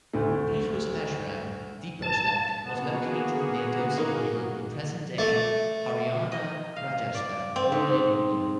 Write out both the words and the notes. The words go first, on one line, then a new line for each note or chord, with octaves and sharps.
Bhrigu's ashram 'Deepostak' was located near Dhosi Hill in present-day Haryana-Rajasthan border in India.
D2 A3
A5
A#3 B3 F#4 G#4
D#4 A#4
A3
D#5
F5
D5
C4
G#2